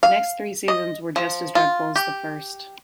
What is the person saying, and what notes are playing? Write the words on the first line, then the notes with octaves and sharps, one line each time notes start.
The next three seasons were just as dreadful as the first.
F5
D#5
F3
F4
G4